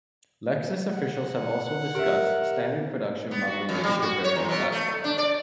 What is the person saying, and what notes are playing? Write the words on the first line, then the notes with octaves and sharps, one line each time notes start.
Lexus officials have also discussed standard production model usage of varying platforms.
F#5
G4 A#4 E5
B3
F#4
F2
G3
F#4
C#5
E2
B2
A3
D4
D5